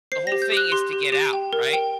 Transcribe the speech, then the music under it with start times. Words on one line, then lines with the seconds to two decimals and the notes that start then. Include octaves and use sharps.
the whole thing is to get out, right?
0.12 C5 C7
0.27 G4 A#6
0.42 G6
0.52 G4 F#6
0.72 G4 C6
0.93 G4
1.12 G4
1.33 G5
1.53 A#4
1.73 G5